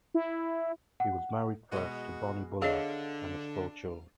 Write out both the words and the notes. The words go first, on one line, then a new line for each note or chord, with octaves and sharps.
He was married first to Bonnie Bullough and has four children.
E4
F#5
B2 G#3 F#4
D3 D4 G#4 C#5 D#5 F5